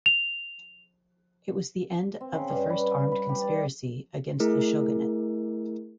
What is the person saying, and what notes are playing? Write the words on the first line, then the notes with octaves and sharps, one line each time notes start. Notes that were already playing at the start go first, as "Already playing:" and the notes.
It was the end of the first armed conspiracy against the shogunate.
F7
C4
C#3
G2
B4
B4
G4
D5
A3 E4 G#4 A#4